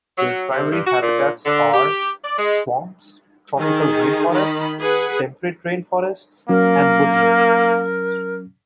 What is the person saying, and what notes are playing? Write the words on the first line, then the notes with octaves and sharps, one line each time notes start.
Their primary habitats are: swamps, tropical rainforests, temperate rainforests and woodlands.
F#3
C3
G2
F#4
A#2
D3
G4
D5
G#3
D#3 G#4
D#3 B5
G#4 B4 F#5
F#3 A#3 C#4 A#4